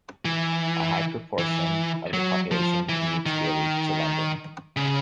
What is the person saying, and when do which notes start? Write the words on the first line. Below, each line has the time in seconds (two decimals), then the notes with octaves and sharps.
A high proportion of the population commutes daily to London.
0.25 E3
1.38 E3
2.13 F#3
2.51 F3
2.89 E3
3.26 D#3
4.77 C#3